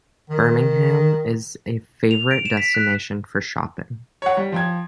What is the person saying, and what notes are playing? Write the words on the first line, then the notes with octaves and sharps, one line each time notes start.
Birmingham is a favourite destination for shopping.
D#3
F7
D7
E7
B6
F#6
C#5 F#5
G3
F3 G5 G#6